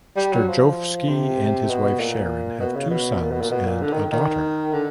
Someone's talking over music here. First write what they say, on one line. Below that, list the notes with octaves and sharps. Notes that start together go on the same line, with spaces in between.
Sterjovski and his wife Sharon have two sons and a daughter.
G3
F#3
F3
C3
B2
A#2
B2
C#3
B2
A#2
B2
A#2
B2
A#2
D3
D#3
D#3
D3